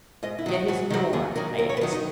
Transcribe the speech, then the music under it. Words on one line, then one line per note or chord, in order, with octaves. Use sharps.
"Get his Norm?" I asked.
G#2 D#5
E4
D#3 F#3
F#4
G#2 F#4
D#3 F#3
D#2 G#4
D#3 F#3 A#4
D#2 A#4
C#5
B4
D#3 F#3 A#4
D#4